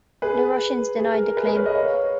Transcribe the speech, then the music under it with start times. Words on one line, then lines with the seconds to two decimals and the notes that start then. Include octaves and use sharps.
The Russians denied the claim.
0.22 G#4 B4
0.99 G#4
1.12 A#4
1.24 A#4
1.37 G#4 B4
1.47 G#4 B4
1.56 A#4 C#5
1.66 B4 D#5
1.75 C#5 F5